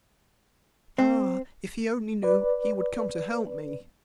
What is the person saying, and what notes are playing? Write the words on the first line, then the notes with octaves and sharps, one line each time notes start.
Ah! if he only knew, he would come to help me.'
C4
B4 D5